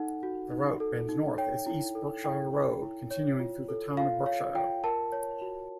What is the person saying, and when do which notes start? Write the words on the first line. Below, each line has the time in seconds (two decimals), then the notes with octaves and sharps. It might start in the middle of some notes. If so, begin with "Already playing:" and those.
The route bends north as East Berkshire Road, continuing through the town of Berkshire.
Already playing: D#4 A4 F#5
0.23 F#4
0.52 D#4
0.80 A4
1.09 D#4
1.38 C#5 G5
1.66 E4
1.95 A4
2.24 E4 G5
2.53 C#5
2.82 E4
3.11 C#5
3.40 F4
3.68 A4
3.97 F4 F5
4.26 C#5 F5
4.55 F4 G5
4.84 A#4 A5
5.12 C#5
5.42 F#4